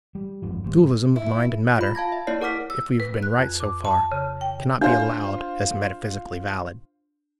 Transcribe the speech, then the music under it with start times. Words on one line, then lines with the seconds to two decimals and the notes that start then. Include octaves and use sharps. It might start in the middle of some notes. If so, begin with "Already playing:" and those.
The dualism of mind and matter, if we have been right so far, cannot be allowed as metaphysically valid.
0.15 G3
0.42 G1 F2 G#2 F3
0.64 G#1 A#2 G3
1.16 E4
1.78 F4 B5
1.95 F5 A5 G#6 A#6
2.12 E5
2.27 A#3 E4 C#5 D5 C7
2.41 G#4 A#4 F#5 D6 F6 B6
2.70 E6
3.00 B4
3.22 F#6
3.37 F2
3.60 D6
3.85 A5
4.12 C#3
4.41 G5
4.81 D4 F4 C5